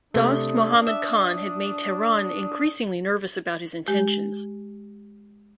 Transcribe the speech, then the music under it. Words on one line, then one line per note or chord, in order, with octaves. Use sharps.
Dost Mohammad Khan had made Tehran increasingly nervous about his intentions.
C3 A3 D4 D#6
E5
G#3 G4